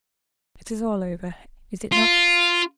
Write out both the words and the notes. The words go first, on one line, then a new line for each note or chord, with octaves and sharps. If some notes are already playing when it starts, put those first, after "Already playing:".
It is all over, is it not?
F4